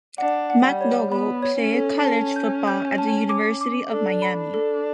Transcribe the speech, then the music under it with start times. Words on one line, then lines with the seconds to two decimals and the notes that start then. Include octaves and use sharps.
McDougle played college football at the University of Miami.
0.18 D4 F#5
0.50 F#5
0.65 G3
0.81 C#5
1.12 B3 B5
1.43 C#5
1.58 C#4
1.73 A4
2.05 C#4 A5
2.36 G6
2.67 G6
2.98 A5
3.29 D6
3.61 D6
3.91 D4 A4
4.22 B5
4.38 D4
4.54 A4